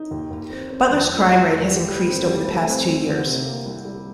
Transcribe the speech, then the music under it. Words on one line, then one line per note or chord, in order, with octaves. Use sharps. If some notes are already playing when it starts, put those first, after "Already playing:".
Butler's crime rate has increased over the past two years.
Already playing: D#4
D#2
D#2
C4
C4
F2
F3
F3
F1
G4
G3
C4
G3
A3
C4
C4
D3
C3
A#3
C2
G3